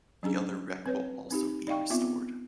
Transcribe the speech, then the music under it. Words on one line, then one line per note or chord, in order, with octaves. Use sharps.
The other wreck will also be restored.
F#3 C#4 D4 G#4
C4 B4 C#5
C4 D#4 G4
D#4 D5 D#5 F5 G5 C#6
B3 C4 F4 E5 D6